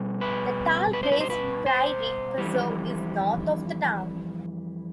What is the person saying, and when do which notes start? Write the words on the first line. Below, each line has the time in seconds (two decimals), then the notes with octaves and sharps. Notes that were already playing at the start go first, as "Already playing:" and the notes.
The Tallgrass Prairie Preserve is north of the town.
Already playing: B2 G3
0.21 B4
0.93 B4
1.03 C5
1.12 B4
1.20 C5
1.30 B4
1.66 C5
2.38 F2 E3 G3